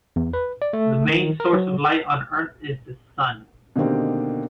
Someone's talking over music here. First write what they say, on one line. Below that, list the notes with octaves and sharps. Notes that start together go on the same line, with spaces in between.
The main source of light on Earth is the Sun.
E2
B4
D5
A3
D#3
A#4
F#3
B2 D3 D#3 A#3 C4 G4